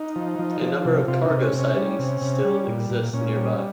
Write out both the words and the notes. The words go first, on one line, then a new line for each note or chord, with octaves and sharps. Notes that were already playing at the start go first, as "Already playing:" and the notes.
A number of cargo sidings still exist nearby.
Already playing: D#4
F3
F3
F3
C3
C3 F4
D#4
C3
C#4
C3
C#4
G3
C3
C3
G3
A#2
A#2
A#2 C#4
G3